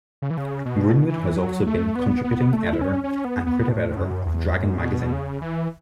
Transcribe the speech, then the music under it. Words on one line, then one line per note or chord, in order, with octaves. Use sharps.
Greenwood has also been contributing editor and creative editor of "Dragon" magazine.
C#3
E3
C#3
B2
E3
F#3
A3
B3
B3
A3
E4
C#4
C#4
B3
B3
A2
A2
F#2
E2
F#2
A2
B2
C#3
E3